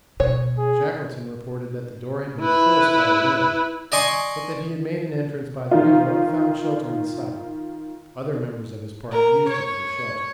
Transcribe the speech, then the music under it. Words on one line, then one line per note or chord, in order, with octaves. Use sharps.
Shackleton reported that the door had been forced by the wind, but that he had made an entrance by the window and found shelter inside--other members of his party used it for shelter.
B2 C#5
G#4
E4 B4
D5 D#5 G#5 C6 C#6
D#3 D#4 F4
A#4
C#5